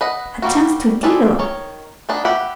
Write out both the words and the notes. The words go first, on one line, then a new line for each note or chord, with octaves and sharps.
"A chance to develop."
B4 D#5 F#5
G3 A#3 F#4
C4 G#4 A4 B4 D5
D#3 C#5
G#3 B3 D4 D#4
G4 B4 E5 F#5